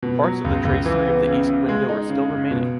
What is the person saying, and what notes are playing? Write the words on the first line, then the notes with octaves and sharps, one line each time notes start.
Parts of the tracery of the east window are still remaining.
B2
F#3
C#2
C#2
E3
B3
C#3
C#3
G#3
D#4
C#3
C#3
B2